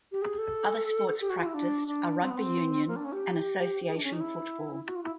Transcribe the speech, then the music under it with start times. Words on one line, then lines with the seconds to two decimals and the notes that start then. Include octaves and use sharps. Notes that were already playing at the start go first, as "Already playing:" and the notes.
Other sports practiced are rugby union and association football.
0.12 G4
0.22 G#4
0.38 A4
1.21 G4
1.30 F#4
1.38 F4
1.46 E4
1.54 D4
1.88 D4
2.21 C4
2.30 B3
2.38 C4
2.88 A#3
2.96 D4
3.05 C#4
3.12 G4
3.88 G#4
3.96 D4
4.04 C#4
4.13 D#4
4.21 E4
4.87 F#4
4.96 F4
5.03 E4